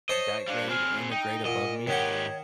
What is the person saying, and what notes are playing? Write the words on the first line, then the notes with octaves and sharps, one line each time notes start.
that grade and the grade above me,
C5 C#5 D#5 A5
G3 D4 F5
C4 G#4 F6
D#4 G5
A#2 D#5 F#5
G#2 D#3 G4 C#5 F#5